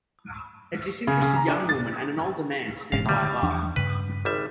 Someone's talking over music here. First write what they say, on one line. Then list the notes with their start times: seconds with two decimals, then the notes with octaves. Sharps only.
A disinterested young woman and an older man stand by a bar.
1.07 C#3
1.22 C#3
1.36 A#5
1.48 D4
1.69 A6
2.92 E1 G#2 C#4 F5
3.06 A2 D3 D#3 G3 A3
3.42 E2 F3 D4
3.76 G2 C#3 B4
4.25 G#1 G3 E5